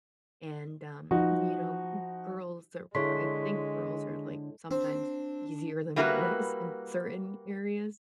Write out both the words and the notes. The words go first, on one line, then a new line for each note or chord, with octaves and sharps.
and um, you know, girls are I think girls are, like, sometimes easier than boys in certain areas.
F3 D#4 F#4
D3 G#3 E4 G#4 C#5 C6 C#6 B6
C4 D4
G3 A#3 E4 F#4 A#4 B4